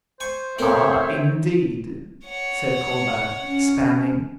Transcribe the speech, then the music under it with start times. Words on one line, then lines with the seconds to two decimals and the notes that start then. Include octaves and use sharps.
"Ah! indeed," said Colbert, expanding.
0.20 C5 G#5 C#6
0.58 A3 C4 A#4 C#5 E5
2.25 C#5 F#5
3.41 C#4